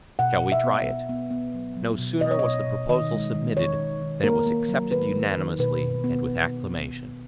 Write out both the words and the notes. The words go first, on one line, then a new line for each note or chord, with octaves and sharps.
"Shall we try it?" No sooner was the proposal submitted than it was accepted unanimously and with acclamation.
B2 F#5
B2
E5
B3
B2
B3
B3
F#3
F#3
B2
B2 D#5
C#5
B2 D#5
B2
D#3 D#5
G#3
D#3
D#3 C#5
D#3
D#3
A#3 A#4
A#3
F#3
D#3 B4
D#3
D#3
B2 B4
B2
B3